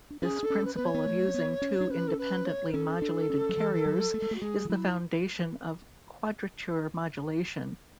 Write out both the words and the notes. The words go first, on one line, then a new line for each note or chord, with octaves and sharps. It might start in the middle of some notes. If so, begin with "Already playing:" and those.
This principle of using two independently modulated carriers is the foundation of quadrature modulation.
D4
C#4 G#4
D4 A4
C#4
B4
B3 B4
C#5
B3
A3
C#4
B3
C#4
D4
C#4 B4
A4
B4
C#5
C#4 A4
D4
C#4
F#3
E3
F#3
A3
G#3
A3
F#4
G#3 G#4
E3
F#3 E4